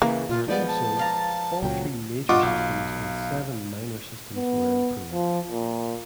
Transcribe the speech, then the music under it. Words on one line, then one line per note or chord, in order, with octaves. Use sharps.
In doing so, all three major systems and seven minor systems were improved.
C#3 E3 A#3
A#2 F4
F3 G#3 B3 D5
A5
D5 F5 A#5
C#2 A#2 F#3 G5
G2 F4 D#5 F#5 C#6 D6
B1 F5
B3
F3
A#2